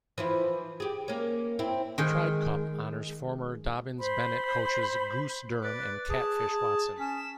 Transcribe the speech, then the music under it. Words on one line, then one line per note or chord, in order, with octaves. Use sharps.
The Tribe Cup honors former Dobyns-Bennett coaches "Goose" Durham and "Catfish" Watson.
E3 F3 E4
G4 G#4
A#3 C#4
C4 E4
D#3 G#3
C5 B5 C6
B4 D5
G#4 A5
G#4
C#4 B6 E7